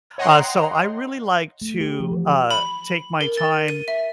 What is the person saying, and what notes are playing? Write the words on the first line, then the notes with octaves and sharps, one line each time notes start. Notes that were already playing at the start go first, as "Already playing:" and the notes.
Uh, so I really like to, uh, take my time,
C#5 D#5 F#5 G5 A#5 C6
A3
G4
F3
E3
B5
A#4
A6
D#7
E5